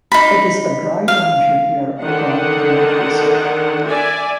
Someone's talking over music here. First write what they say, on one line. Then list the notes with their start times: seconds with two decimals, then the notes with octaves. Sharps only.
It is a dry township where alcohol cannot be sold.
0.12 D#4 B5
1.08 F5
2.00 D3 D#3 F#5
3.87 D5 E5 G#5